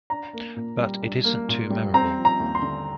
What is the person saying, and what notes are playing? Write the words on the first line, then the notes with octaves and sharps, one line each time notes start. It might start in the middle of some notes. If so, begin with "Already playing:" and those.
But it isn't too memorable.
D4 A#5
A#3
A#2
G3
D4
A#3
A#2
G3
C4 A#5
F3
A#5
D#2
C6
D3